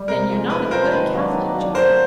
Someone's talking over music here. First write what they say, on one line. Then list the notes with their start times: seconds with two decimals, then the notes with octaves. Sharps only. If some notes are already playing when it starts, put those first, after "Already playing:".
"Then you're not a good Catholic, Julie?"
Already playing: G3
0.08 C3 A#4
0.29 F3 G#3
0.50 C3 B4
0.71 F3 G#3 A#4 C5
0.92 D#3 B4
1.13 F#3 A#3 D4
1.33 D#3
1.54 F#3 A#3 D4
1.74 D3 A#4 C5